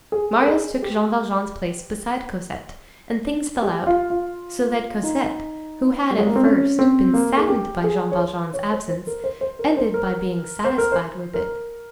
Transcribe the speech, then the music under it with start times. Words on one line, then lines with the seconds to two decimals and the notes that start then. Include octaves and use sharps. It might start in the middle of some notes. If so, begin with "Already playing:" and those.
Marius took Jean Valjean's place beside Cosette, and things fell out so that Cosette, who had, at first, been saddened by Jean Valjean's absence, ended by being satisfied with it.
0.12 G#4
0.41 A#4
0.48 G#4
0.83 G4
3.63 G4
3.87 F4
4.10 F4
5.03 D#4
6.10 G3
6.18 G#3
6.27 A#3
6.36 C4
6.44 C#4
6.79 C4
7.14 A#3
7.37 G#4
7.48 G4
7.84 G#4
8.12 C#5
8.19 C5
8.54 C#5
8.71 C5
8.89 C5
9.07 A#4
9.24 C5
9.41 C5
9.59 A#4
9.77 C5
9.94 A#4
10.64 C5
10.78 A#4
10.92 C5
11.34 A#4